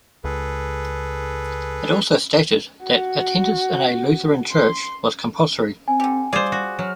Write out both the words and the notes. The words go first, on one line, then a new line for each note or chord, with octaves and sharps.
It also stated that attendance in a Lutheran church was compulsory.
C#2 G#4 A4 B4
F#4
C6
C4 G#5
D3 G4
G3 F4 G#4 C5 D5
F#4
F#3 F6